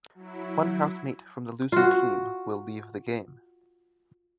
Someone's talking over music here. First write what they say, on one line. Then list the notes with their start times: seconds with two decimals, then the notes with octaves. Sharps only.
One housemate from the losing team will leave the game.
0.15 F#3 E4
1.72 F4 F#4